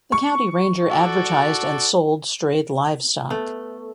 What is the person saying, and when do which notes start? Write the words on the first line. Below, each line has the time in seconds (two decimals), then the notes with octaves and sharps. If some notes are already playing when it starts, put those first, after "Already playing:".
The county ranger advertised and sold strayed livestock.
0.12 C#6
0.90 F#4 A4 D5
3.30 A3 B3